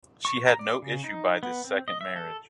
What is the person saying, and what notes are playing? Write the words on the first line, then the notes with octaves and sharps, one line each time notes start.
She had no issue by this second marriage.
C#6
A#5
D5
C#3
D#4
B3
C4
D#5
E5
A4